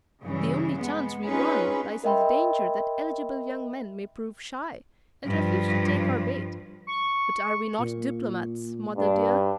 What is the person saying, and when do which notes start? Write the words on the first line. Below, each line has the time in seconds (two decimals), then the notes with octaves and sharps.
The only chance we run lies in the danger that eligible young men may prove shy, and refuse to take our bait; but are we not diplomats, mother dear?
0.23 G2 C#3 E3
0.77 G#3 B3
1.25 C4 C#4 D#4 F4 G#4 B4
2.04 A#4 D#5 E5 G5 B5 C6
5.26 G2 F3
6.87 C#6
7.78 A#2
8.97 G2 D4